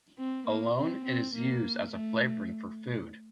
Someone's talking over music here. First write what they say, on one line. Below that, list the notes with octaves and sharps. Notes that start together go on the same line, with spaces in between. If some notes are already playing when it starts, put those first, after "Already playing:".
Alone, it is used as a flavoring for food.
C4
A#3
C4
C4
A#3
A3